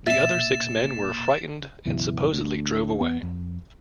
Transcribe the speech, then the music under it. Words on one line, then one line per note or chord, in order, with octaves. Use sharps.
The other six men were frightened and supposedly drove away.
E1 A#2 E5 A6 E7
C#2 F#2 B2 E3
D2
E2 B3
F2